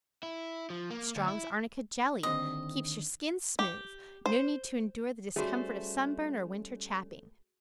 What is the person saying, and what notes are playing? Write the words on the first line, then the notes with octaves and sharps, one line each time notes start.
Strong's Arnica Jelly Keeps Your Skin Smooth No need to endure the discomfort of sunburn or winter chapping.
E4
F3
A#3
D2
E4
D#2 D3 C4 D#5
G4
C5
G3 A3 C#4 F#4 G#4 C5